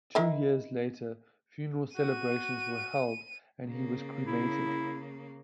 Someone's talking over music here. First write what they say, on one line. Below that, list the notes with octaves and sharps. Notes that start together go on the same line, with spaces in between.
Two years later funeral celebrations were held and he was cremated.
D#3 E4
F#4 D#7
C#3 A#3
E4